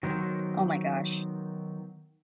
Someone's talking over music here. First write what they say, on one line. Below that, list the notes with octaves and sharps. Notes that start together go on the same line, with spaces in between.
Oh my gosh.
D#3 F#3 B3 A#4 C5